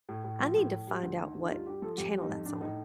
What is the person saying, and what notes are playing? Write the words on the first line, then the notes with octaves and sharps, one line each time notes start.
I need to find out what channel that's on.
A2
A2
F3
A2
A2
G3
D2
D#3
D2
D#4
G2 F4
G2 G4
F3 A4
F2 G4
G3
D#4
F2
A2 D4
A2 D#4